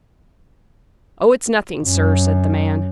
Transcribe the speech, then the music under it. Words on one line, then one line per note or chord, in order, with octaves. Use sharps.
"Oh, it's nothing, sir," said the man.
F#2